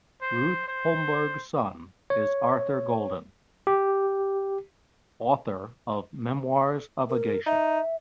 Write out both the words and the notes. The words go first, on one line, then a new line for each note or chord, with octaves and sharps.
Ruth Holmberg's son is Arthur Golden, author of "Memoirs of a Geisha".
C5
C5
C#5
G4
A#4
D#4 E5